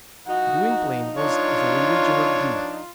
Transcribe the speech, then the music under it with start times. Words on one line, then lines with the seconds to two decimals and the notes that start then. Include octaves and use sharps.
Gwynplaine was the religion of Dea.
0.28 F3 D#4 F#4
1.18 D4 F4 C#5